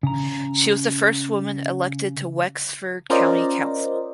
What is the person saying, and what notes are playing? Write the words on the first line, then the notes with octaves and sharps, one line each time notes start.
She was the first woman elected to Wexford County Council.
C#3 A#5
C#4 F4 A#4 C5 D5 D#5